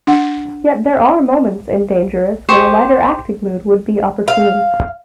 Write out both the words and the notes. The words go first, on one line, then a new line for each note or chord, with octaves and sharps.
Yet there are moments in "Dangerous" when a lighter acting mood would be opportune.
D4 F#5
G4 C5 C#6 D#6
F5